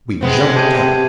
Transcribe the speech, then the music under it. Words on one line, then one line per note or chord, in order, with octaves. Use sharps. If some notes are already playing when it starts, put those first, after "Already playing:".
We jumped up.
C3 G#3 B3 C4
G4 A5 G#6 D#7